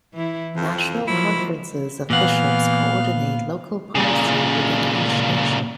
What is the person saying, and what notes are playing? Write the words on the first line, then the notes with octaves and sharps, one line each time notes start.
National Conferences of bishops co-ordinate local policy within each nation.
E3 E4
F2 C4
F3 F#3 A#3 E4
A#2 E3 B3 F5 F#5
A#2 C#3